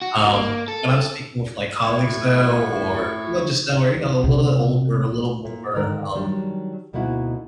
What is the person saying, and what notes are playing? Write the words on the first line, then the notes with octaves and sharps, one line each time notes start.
um, when I'm speaking with, like, colleagues, though, or people I just know are, you know, a little bit older, a little more, um,
F#4
A#3
A4
A2 E4 C#6
A#1 C3
A#2
G#2 D3 D#3 A#4
D#3 F#3 G3 D4
D2 B2 A#3 D#4 E4 F#4